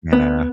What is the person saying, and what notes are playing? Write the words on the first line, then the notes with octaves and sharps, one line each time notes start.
you know.
B3